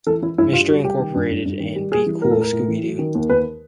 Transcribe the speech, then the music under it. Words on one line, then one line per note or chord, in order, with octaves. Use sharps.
Mystery Incorporated" and "Be Cool, Scooby-Doo!
E3 A4
E3 E4
G2 E4
G3 F4
G3 F#4
G3 G4
D#3
G2
G2
G2
D#3
G3
G3 G#4
E3
A2 A#4
A4
A2 A#4
A2
E3
F#3
D#3
D#2
D#2 B4